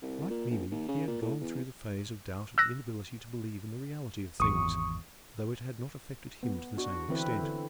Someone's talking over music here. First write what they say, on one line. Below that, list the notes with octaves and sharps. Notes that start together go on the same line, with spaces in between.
Like Mimi, he had gone through the phase of doubt and inability to believe in the reality of things, though it had not affected him to the same extent.
C2
A#2
A#1
D#2
C#3
A#2
A2
E2
E6 F#6 A#6
G#1 E2 C#6 D#6
B3
D4 F#4
D3 E3 C4 E4 B4
D3